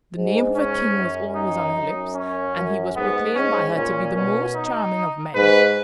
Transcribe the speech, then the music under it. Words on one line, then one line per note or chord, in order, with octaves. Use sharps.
The name of her king was always on her lips, and he was proclaimed by her to be the most charming of men.
G#2
C#4
F#2
D#4
F#2
C#4
F#2
G#2 B3
G#2 C#4
A#2 C#4
B2 C#4
D#4
G#2 B4